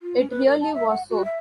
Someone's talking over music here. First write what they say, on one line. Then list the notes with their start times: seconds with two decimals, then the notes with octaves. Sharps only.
It really was so.
0.02 F4
0.19 C#4
0.30 B4
0.46 A#4
0.61 A5
0.74 E5
0.89 F#5
1.10 F#4
1.25 E5